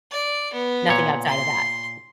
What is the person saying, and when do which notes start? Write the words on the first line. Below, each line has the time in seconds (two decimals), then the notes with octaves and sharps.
nothing outside of that.
0.11 D5
0.53 B3
0.89 A#2 C#5
1.27 C6